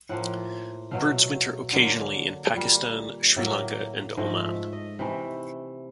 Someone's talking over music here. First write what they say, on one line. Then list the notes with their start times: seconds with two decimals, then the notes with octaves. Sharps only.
Birds winter occasionally in Pakistan, Sri Lanka and Oman.
0.09 A2 F3 A#3 F#5
0.91 B2 F#3 A3 F5
1.72 D3 F#3 A#3
2.54 A#2 G3 A#3
3.36 A2 F#3 A#3 E5
4.17 G#2 F3 A3 D#5
4.45 E5
4.73 D#5
4.99 C3 E3 A3